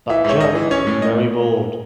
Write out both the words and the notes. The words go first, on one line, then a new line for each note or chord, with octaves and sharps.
But Joe was very bored.
E3 E5
G#2 C#5
G#2 D#5
E3
C#4 C#5
A2
A2 D#5